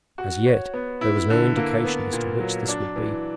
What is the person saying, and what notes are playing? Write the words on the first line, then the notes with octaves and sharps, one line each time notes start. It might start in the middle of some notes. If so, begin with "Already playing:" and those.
As yet there was no indication as to which this would be.
F#4
C#5
B3
E4
D3
A#3
B3
A#2
F#3
D4
E3